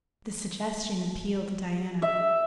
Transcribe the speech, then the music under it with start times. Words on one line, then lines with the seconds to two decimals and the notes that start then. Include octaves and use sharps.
The suggestion appealed to Diana.
2.02 E5